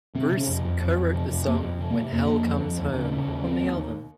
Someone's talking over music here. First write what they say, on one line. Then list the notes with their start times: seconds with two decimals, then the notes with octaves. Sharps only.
Bruce co-wrote the song "When Hell Comes Home" on the album.
0.15 C3 C4
0.32 C3
0.37 C#4
0.48 F2
0.65 F2
0.81 F2
0.97 F2
1.14 C3
1.31 F2
1.46 F2 A#3
1.63 F2
1.80 C3
1.91 A#3
1.96 C3
2.12 F2 A#3
2.29 F2
2.45 F2
2.62 F2
2.79 D#2
2.95 C#3
3.12 C#3
3.27 D#2
3.44 D#2 C4
3.60 D#2
3.76 D#2